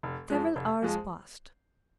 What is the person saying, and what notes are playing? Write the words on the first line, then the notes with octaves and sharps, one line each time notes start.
Several hours passed.
F1
F2 F3 G#3
F1
F2 F3 G#3